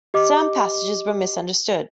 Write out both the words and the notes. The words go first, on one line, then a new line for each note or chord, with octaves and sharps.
Some passages were misunderstood.
G4 D#5 D6